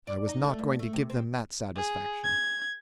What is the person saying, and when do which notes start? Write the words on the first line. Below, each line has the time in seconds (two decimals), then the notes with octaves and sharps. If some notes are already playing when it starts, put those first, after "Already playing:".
I was not going to give them that satisfaction.
0.07 D5
0.29 D#4
0.44 A3
0.59 G2
0.79 A3
0.93 C3
1.10 C4
1.76 G#4
2.24 G#6